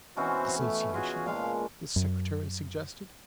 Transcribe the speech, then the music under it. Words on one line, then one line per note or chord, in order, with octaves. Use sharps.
'Association?' the Secretary suggested.
B2 E3 C4 C#4 F#4 C5
A3
F4 F#4 G#4
A#2 G#3 F5 A5
F#2